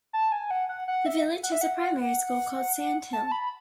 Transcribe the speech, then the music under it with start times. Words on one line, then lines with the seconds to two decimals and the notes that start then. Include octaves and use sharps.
The village has a primary school called Sandhill.
0.13 A5
0.32 G#5
0.51 F#5
0.69 F#5
0.88 F#5
1.06 E5
1.43 F#5
1.52 E5
1.61 F#5
3.13 A5
3.32 B5